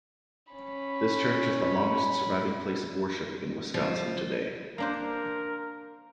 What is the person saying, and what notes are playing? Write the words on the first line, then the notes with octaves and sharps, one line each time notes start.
This church is the longest surviving place of worship in Wisconsin today.
C#4 B5
F3
A#3 D4 A#4 C5